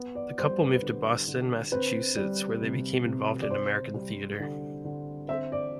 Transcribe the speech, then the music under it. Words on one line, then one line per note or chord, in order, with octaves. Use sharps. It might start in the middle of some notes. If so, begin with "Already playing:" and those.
The couple moved to Boston, Massachusetts, where they became involved in American theatre.
Already playing: B3
D5
G3 C5
B4
B4
D3
D3
C4 B4
G3
C3
C3
D5
C4 C5
G3
D3
D3
C4 E5
D5